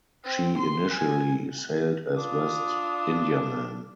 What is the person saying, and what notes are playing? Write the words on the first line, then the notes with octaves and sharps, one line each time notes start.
She initially sailed as West Indiaman.
C4
C6
G#5
D4 F4 D#6